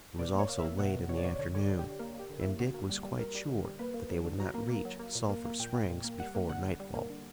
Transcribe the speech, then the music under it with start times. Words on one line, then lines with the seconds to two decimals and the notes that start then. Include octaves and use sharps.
It was also late in the afternoon and Dick was quite sure that they would not reach Sulphur Springs before nightfall.
0.19 B2 D5
0.34 A#3 C#5
0.49 A#3
0.59 E5
0.64 A#3
0.79 B2 F#5
0.94 B2
1.09 B2 C#5
1.17 D5
1.24 B2 C#5
1.39 D3 C#5
1.54 D3 C#5
1.59 D5
1.69 D3
1.79 G4
1.85 D3
1.99 A#3 A#4
2.14 A#3 G4
2.30 D3
2.39 E4
2.45 A#3
2.60 D3 F#4
2.74 A#3
2.89 G3
3.04 G3
3.19 G3 A#4
3.35 G3
3.50 D3
3.64 G3
3.79 A#3 B4
3.94 A#3
4.10 F#3
4.25 D3
4.40 F#3 A#5
4.55 A#3
4.70 A#3
4.85 F#3
5.00 A#3
5.15 A#2
5.29 A#3
5.45 A#3
5.60 A#2 G5
5.75 A#2
5.90 A#2
6.04 A#3
6.20 G3 F#5
6.35 A#3
6.49 D3 F#5
6.65 D3
6.80 G3
6.95 A#3
7.10 D3